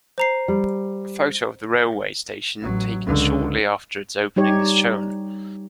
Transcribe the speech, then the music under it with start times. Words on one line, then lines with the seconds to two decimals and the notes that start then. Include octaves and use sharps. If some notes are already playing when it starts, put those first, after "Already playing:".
A photo of the railway station taken shortly after its opening is shown.
0.18 C5 A#5 C7
0.48 G3
2.61 A1 F#3
3.05 C#2 D3
4.36 G3 D#4 G4 C#5